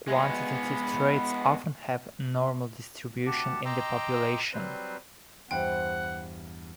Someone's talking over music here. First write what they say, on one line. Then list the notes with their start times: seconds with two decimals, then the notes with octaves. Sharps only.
Quantitative traits often have a 'normal' distribution in the population.
0.08 G#3 B3
3.27 D2 G4 F#5 A5
3.65 D#5 G5 A#5 C6 D6 E6
4.53 F#3 G3 C4 B4 C5
5.51 E2 G2 C5 E5 F#5 G5